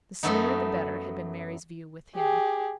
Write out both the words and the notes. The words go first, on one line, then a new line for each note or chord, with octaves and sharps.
The sooner the better had been Mary's view with him.
F#2 F#3 A3 B3 D#4
G4 G#4